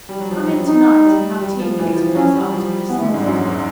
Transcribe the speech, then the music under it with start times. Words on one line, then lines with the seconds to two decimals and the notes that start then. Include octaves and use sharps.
Come in to-night and have tea and cakes with us after lessons.
0.09 G3
0.20 F#3
0.31 F3
0.49 F#3
0.67 D#4
1.05 G3
1.41 G3
1.60 F3
1.79 E3
1.96 F3
2.15 F#3 C#4
2.34 G3
2.52 F3
2.89 E3 B3
2.99 A3
3.02 D3
3.08 G#3
3.14 G#2
3.17 G3
3.26 F#2 F#3
3.45 E2